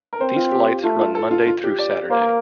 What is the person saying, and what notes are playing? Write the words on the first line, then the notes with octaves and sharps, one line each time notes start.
These flights run Monday through Saturday.
A#4
C4 C5
F4
G4
A3 F4
F4
A4
F4
F4
G4
D5
A#3 C5
A#4